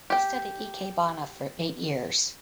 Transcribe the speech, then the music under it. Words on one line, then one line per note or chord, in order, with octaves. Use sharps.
He studied ikebana for eight years.
G4 G5